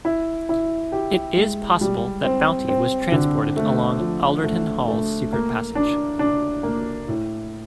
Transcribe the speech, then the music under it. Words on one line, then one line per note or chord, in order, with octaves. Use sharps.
It is possible that bounty was transported along Alderton Hall's secret passage.
E4
E4
G4
G#3
G3
C4
C4
D3
A3
F3
A3
A3
A#3
D4
D4
A#3
A2